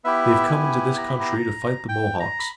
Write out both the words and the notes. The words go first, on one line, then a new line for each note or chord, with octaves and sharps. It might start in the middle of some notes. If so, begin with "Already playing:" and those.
They have come into this country to fight the Mohawks.
B3 E4 G4 E5
G#5
A#5
B5
A#5
G5
A#5
B5